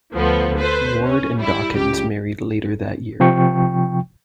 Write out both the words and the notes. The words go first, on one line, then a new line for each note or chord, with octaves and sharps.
Ward and Dawkins married later that year.
D2 F3 B3 A4
A4 B4 C5
C#4
G3 E4
C#2 G4
C3 F3 G5 C#6